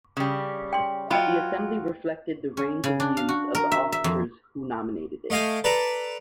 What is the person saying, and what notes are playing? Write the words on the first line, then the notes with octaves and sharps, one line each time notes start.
The assembly reflected the range of views of the officers who nominated it.
C#3 G3
G5 C6
F#3 F4 D#5 G5 B5
C#4
C#3
D4
F5
F#4
A#4
E5
E5
F2
A3 D#5 F5 G5 G#5
A4 B4 D5 A5 A#5